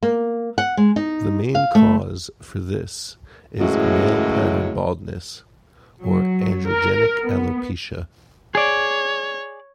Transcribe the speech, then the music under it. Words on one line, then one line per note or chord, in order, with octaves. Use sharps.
The main cause for this is "male pattern baldness" or androgenic alopecia.
A#3
F#5
G#3
D#4
F5
A3
F#2 A2 C#3 E3 F#3 G#3
F#3
A#4
B3
G#4 C#5 D5